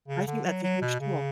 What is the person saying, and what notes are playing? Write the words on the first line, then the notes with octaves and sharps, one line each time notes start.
I think that's a huge tool.
C#3
D3
F#3
F#3
B2
C#3